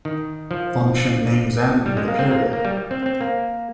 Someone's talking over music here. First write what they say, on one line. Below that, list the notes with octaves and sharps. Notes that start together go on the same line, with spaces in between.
Function names end with a period.
D#3
F3
G3
G#3
A#3
C4
A#3
A#3
G3
C4
C4
A#3